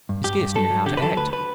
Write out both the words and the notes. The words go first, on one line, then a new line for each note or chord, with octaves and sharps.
He scarce knew how to act.
G2
G2 G4
G2
F#3 A4
F#3
D3 G4
B4
F#3 A4
D2 B4
B4